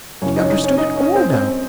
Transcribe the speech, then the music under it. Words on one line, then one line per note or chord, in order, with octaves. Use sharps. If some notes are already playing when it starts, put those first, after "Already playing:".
She understood it all now.
F#2 C#3 E3 C#4 C#5
D#4 D#5
C#5
D#4 D#5
C#4 C#5
D#4 D#5
C#4 C#5
C4 C5
C4 C5